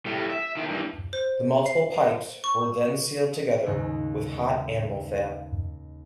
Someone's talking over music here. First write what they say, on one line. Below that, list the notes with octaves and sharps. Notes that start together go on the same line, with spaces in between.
The multiple pipes were then sealed together with hot animal fat.
A2 G3
E5
D#3 F3
G2 E3
C5
C7
C#6
D#2 G#2 C#3